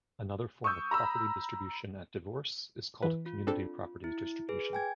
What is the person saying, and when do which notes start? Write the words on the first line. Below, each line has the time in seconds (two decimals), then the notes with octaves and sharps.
Another form of property distribution at divorce is called "community property distribution".
0.64 C#6 D#6 E6 G6
0.91 A#5 B5 E6
3.02 E3 B4
3.26 F4
3.47 C4 D4 A4
4.04 E4
4.49 G#4 B4
4.73 G5 G#5 G#6